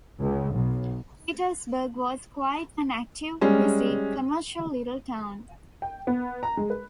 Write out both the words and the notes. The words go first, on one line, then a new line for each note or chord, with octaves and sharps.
Petersburg was quite an active, busy, commercial little town.
C#2
B1
G3 G#3 C#4
G5
B3
A#5
G#3
B4